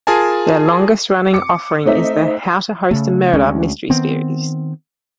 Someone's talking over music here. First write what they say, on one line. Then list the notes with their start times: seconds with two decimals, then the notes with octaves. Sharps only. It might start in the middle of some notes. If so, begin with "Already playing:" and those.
Their longest-running offering is the "How to Host a Murder" Mystery series.
0.07 F4 G#4 A#4 G#5 A5
1.33 D6 C#7
1.85 A3 C4 D#4 E5
2.91 C#3 A3
3.34 D2 G#3 C#4
3.90 D#3 B3 C4